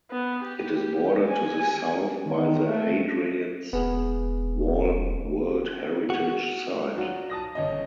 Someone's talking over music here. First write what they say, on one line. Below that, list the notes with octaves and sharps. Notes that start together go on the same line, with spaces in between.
It is bordered to the south by the Hadrian’s Wall World Heritage Site.
B3
G4
G#5
D#3
A3
E1 B3 G#4
F#4
F#3 D4 F4 F#4
A5 D#6 A#6
G1 C#4 D#5